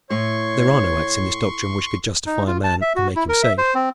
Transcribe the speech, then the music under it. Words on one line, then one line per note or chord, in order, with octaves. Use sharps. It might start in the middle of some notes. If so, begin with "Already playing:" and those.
There are no acts in this doctrine which could justify a man and make him saved.
A2 C#5 C6 C#6
D#4
F4
A5
E5
F#4
E4
A#4
E5
C5
C4